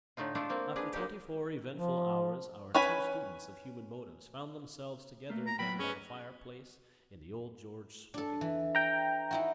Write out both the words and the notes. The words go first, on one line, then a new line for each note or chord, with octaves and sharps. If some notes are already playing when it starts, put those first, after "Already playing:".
After twenty-four eventful hours our two students of human motives found themselves together again by the fireplace in the Old George smoking-room.
A2 D3 A3 D#4 F4
G#3 A3 D4 E4 F4 A4
A#3 C4 F5
D4 G#4 B4
G#3 A#3 D#4 G4
F3
C#4 B4 G#5 B5
A3 A#3
A#5
F#3 B3 G5 B5
C#4 G#4 B4
D4 A4
E3
G5 A#5
D#4 E4 F#4